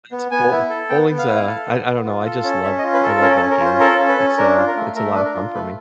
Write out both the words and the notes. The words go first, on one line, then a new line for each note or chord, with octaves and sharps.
That's bowl bowling's a I I don't know, I just love I love that game, it's a it's a lot of fun for me.
B3
B3 G#5
E4
A4
B3 G5
B3
F5
E4
A4
B3
B3
F4
A4
C#4
C#4 E5
D#5
F4
B4
A4 A#4
C#4 A#4
A4
C#4
A#4
F4 C5
A4 A#4
C#4
B4
C#4
D4 A#4
F4
A#4
A3
A3 A#4
D4
A#4
F4
A3 B4